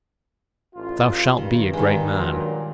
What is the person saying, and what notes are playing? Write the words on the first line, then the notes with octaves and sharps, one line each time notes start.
Thou shalt be a great man.
A1 F4
G2 D#3
D#3 G#3
G2 A#2 F#3